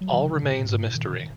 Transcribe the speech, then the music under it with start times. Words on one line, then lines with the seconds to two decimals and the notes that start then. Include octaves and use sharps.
All remains a mystery.
0.01 F#3
0.11 D#3
0.22 C#3
0.32 C#3
0.43 A#2
0.64 G#2
0.86 A#2
0.95 D#3